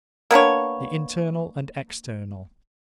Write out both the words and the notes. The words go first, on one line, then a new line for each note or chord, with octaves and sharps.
The Internal and External.
A#3 B3 D4 C#5